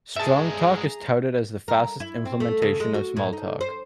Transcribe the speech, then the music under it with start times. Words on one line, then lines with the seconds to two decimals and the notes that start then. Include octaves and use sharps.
Strongtalk is touted as the fastest implementation of Smalltalk.
0.16 G2 G#3 G#4 E5 A5 A#5
1.68 A#4
2.00 E4
2.25 C4
2.40 A3
2.62 C#3
2.80 G#3
2.94 F#4
3.17 A2
3.33 D#4
3.61 C5